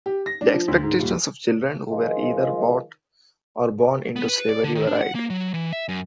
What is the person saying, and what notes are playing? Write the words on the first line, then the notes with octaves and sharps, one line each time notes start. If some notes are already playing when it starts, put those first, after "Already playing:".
The expectations of children who were either bought or born into slavery varied.
G4
A#6
D4
F3
D2
G#2
D#1
D#3 F3 G#3 F4
B3
B4
D5
D3
D#3
D4
F#5
A#3
F#3
E3
E5
F#2